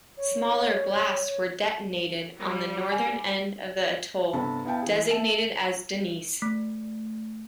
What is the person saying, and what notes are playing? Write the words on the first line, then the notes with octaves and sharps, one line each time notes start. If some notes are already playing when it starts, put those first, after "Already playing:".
Smaller blasts were detonated on the northern end of the atoll, designated as Denise.
C#5
G3
G#5
G2 C3 B3 A4 A5 B5
B3 E4 F5 G5 A5
E3 G#4
E5 A5
A3